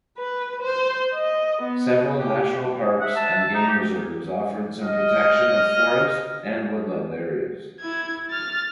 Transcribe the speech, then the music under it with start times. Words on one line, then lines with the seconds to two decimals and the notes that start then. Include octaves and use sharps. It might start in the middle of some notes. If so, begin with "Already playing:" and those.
Several national parks and game reserves offered some protection of forest and woodland areas.
0.18 B4
0.62 C5
1.14 D#5
1.62 B3
2.18 G4
3.01 E5 F#5
3.17 A5
3.54 D#4 A#5
3.69 G4
4.82 D#5 F6
7.81 E4 G#6
8.30 F6 A6